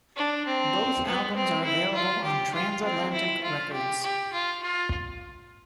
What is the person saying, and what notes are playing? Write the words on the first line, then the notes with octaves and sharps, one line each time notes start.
Both albums are available on Transatlantic Records.
D4
C4
B3
C4
E4
F4
G4
F4
C4
E4
F4
G4
G4
F4
F4